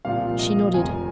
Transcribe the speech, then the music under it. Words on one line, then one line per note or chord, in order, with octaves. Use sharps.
She nodded.
C2 A#2 F3 F5
D#5
F1 F2 C3 F3 G#5